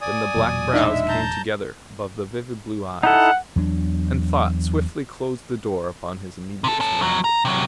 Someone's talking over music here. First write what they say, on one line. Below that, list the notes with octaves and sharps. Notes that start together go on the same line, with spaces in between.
Then the black brows came together above the vivid blue eyes, and thought swiftly closed the door upon his immediate surroundings.
D5 G#5 D#6
E1 A#2 F#3
G#3 D4 D#4 E5
A5 A#5 G6
D#4 E4 A4 F#5
E2 F#3 D4
C3 A4
C#4 A4
F2 F#3
A#5
C3 F#3